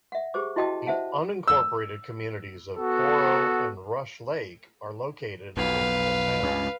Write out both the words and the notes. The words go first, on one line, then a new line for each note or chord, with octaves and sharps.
The unincorporated communities of Koro and Rush Lake are located in the town.
E5 F#5
G4 G#4 C5 D6
E4 F#4 D#5 G5 A5 D#6
C5 E5 F#5 A5
E6
B3 F#4 A4
B1 F2 B4 F5
C#2 G2